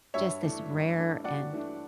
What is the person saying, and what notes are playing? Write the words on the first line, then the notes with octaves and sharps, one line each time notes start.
just this rare and
G2 C#5 E5
E3 A3 D4
G2
E3 A3 D4
G2 D5 F#5
E3 A3 D4